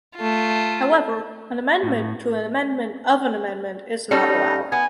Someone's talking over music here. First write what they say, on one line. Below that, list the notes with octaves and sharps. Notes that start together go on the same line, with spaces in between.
However, an amendment to an amendment of an amendment is not allowed.
A3 F4
A2
G3 C#4 D#4 A4
B3 G#5